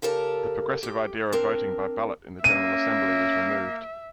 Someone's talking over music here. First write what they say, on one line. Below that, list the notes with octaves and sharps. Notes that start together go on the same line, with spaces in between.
The progressive idea of voting by ballot in the General Assembly was removed.
C#3 G4 A4 A#4 A5
G4
C4 D4 A#4
A#3 C#4 E5 D#7